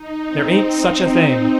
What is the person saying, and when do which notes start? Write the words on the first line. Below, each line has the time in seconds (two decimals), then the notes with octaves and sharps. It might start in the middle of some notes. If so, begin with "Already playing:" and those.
"There ain't such a thing!"
Already playing: D#4
0.28 C4